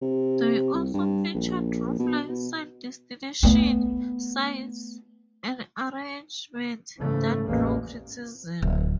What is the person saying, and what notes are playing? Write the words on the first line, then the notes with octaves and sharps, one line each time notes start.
They also featured roofline side destination signs, an arrangement that drew criticism.
C3
C2
G2
A#1
B2
B2
A3 B3
G#2 C#3 E3 A3
A1 E2 G#3 A#3
D1